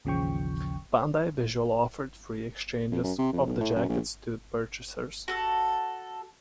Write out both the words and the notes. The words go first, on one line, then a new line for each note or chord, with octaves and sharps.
Bandai Visual offered free exchanges of the jackets to purchasers.
A1 D#2 C#3 F3 G5 C#6
F2
F#2
C3
F2
B1
A2
F#2
A#1
F#4 A4